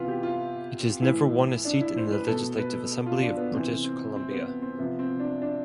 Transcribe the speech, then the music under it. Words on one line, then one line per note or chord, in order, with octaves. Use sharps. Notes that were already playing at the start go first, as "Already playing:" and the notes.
It has never won a seat in the Legislative Assembly of British Columbia.
Already playing: C3 E3 B3 F4
G4
F4
A2 E3 E4
D4
E4
C5
B4
B2 A4
B4
F4
D4
B3
C3 E3 C4
C4
C4
B3
C4
C3 F3 B3
C4
D4
D4